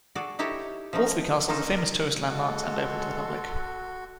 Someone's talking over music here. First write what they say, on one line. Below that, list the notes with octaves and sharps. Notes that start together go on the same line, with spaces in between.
All three castles are famous tourist landmarks and open to the public.
F#4 G#4 A4 D5
D#4 E4 G4 A4 C#5
F3 A3 C#4 D#4
A#3 C#4 D#4 F4 A4
A#4
G#3 F#4 A4 C6